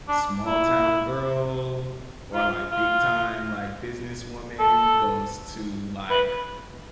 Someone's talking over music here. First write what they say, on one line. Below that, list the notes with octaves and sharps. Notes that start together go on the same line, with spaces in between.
small-town girl, or like big-time, like, businesswoman goes to, like,
D4
E4
F4
F4
A4
B4